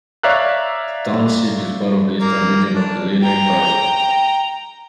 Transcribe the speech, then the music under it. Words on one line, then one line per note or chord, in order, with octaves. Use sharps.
The township is part of the eastern region of the Lehigh Valley.
C#5 D5 E5 F5 A#5 F#6
A#3
D4
G5 A#5